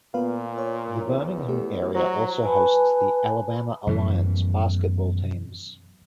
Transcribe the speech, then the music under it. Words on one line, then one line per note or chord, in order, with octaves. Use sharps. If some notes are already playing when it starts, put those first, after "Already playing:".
The Birmingham area also hosts the Alabama Alliance basketball teams.
A#2 B3 B4 F5
C#5
E2
A3 G4
F#3 C5 A#5
B4 G#5 A5 B5
F#2 B2 E3